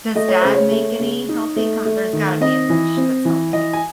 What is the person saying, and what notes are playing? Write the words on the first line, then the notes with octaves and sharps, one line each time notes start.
Does dad make any healthy kin there's gotta be a dish that's healthy.
A3 D#5
C#5
C#3 C5
C#5
A3
C#3
D#4
A3
A3
D#3
C4 D#5
E3
C4
E3
E3 D#5
G#5